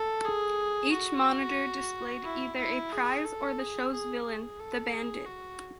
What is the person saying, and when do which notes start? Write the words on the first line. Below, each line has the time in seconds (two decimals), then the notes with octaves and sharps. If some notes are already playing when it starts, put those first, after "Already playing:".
Each monitor displayed either a prize or the show's villain, the bandit.
Already playing: A4
0.24 G#4
0.91 F#4
2.24 E4
2.58 E4
2.92 G#4
3.25 A4
3.59 G#4
3.92 G#4
4.25 G#4
4.60 A4
4.92 G#4
5.25 F#4